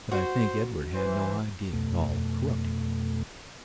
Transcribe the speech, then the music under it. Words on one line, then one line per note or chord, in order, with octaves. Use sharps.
But I think Edward had no idea at all of corrupting her.
F#4 C5
E3 C5
F2 B2 A3